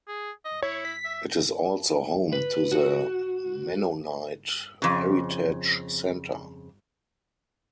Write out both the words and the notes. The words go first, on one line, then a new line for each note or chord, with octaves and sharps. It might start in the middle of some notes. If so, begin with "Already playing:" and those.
It is also home to the Mennonite Heritage Center.
G#4
D#5
E4 C#5
B6
E5
B4
F#4
F2 C#3